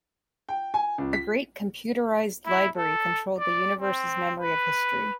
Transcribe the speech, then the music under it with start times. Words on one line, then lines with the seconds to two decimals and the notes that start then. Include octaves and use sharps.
A great computerized library controlled the universe's memory of history.
0.49 G5
0.74 G#5
0.98 C#2
1.13 B6
2.46 E4
2.77 A4
3.39 D5
3.80 C4
4.41 B4